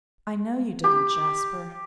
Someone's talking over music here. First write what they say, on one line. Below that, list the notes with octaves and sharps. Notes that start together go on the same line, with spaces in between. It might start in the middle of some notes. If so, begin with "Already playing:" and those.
'I know you didn't, Jasper.
G4